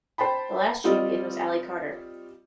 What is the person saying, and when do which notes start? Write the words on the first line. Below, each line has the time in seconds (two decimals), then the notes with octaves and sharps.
The last champion was Ali Carter.
0.18 C5 G5 A5 B5
0.84 G3 C4 F4 D#5